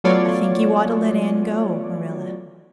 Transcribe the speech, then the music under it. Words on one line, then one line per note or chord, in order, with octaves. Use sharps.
"I think you ought to let Anne go, Marilla."
F#3 A3 B3 F4 C#5 D5